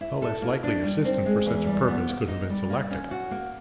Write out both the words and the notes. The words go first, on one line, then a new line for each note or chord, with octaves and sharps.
No less likely assistant for such a purpose could have been selected.
E4
A4
A#3
D4
G3
C4
G#3
E2
G3
B3
A#3
D#4
G3
A#3
C#4
F#4
A#3